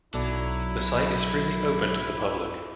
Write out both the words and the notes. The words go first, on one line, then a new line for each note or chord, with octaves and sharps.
The site is freely open to the public.
B1 F#3 E4 A4 D5